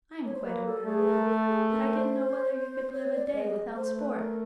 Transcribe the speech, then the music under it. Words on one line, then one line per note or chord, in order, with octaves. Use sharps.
"I am quite aware of that, but I didn't know whether you could live a day without sport."
C#5
C5
A#3 B4
A4
A3 G#4
B4
A#4
A4
G#4
A#4
C5
C#5
D5
D5
G#3 D#5
A3 C5
B4
A#4